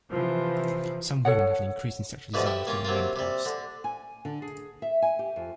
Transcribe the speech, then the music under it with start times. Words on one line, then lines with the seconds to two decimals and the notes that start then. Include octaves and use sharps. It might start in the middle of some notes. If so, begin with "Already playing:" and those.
Some women have an increase in sexual desire following menopause.
0.11 C3 E3 F3
1.25 A4 C#5 F#5
2.34 B2 D3 E3 F3 G3
2.46 E4 G4
2.67 A#3 C#4 F4
2.85 C3 F#3 A#3 F4
3.16 C3 G3
3.45 D3
3.84 G#5
4.25 D3
4.42 G#4
4.82 E5
5.02 G#5
5.19 G4
5.36 F2